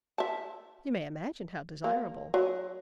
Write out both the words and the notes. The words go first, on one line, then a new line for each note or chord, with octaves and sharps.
You may imagine how desirable!
E5 A5
A#3
F#3